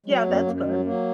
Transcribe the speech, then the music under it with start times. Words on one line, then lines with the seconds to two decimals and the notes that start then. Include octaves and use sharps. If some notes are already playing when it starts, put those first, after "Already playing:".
Yeah, that's good.
0.06 F#3 G#3
0.20 A3
0.26 F#2 B3
0.32 A#3
0.46 F#2 A#3
0.66 F#3 A3
0.85 F#3 A#3